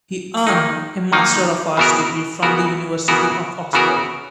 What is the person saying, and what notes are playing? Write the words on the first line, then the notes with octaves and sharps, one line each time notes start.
He earned a master of arts degree from the University of Oxford.
D#3 A#3 D#4
D#3 A#3 D#4
C#3 E3 B3 F#4 A#4
C#3 E3 B3 F#4 A#4
C#3 E3 B3 F#4 A#4
C#3 E3 B3 F#4 A#4